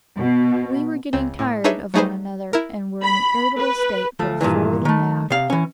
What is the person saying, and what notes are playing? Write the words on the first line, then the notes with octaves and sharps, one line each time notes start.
We were getting tired of one another, and were in an irritable state, both forward and aft.
B2
C#2 C4
A2
D4 D#4 G#4 B4 C#5 E5
F#3 A3 D#4 G#4 B4 C5
E4 A#4
B5
B4
D2 F3 A3
G2 A#2 D#3 E3
D#3 A3
C3 F5
E3 C#4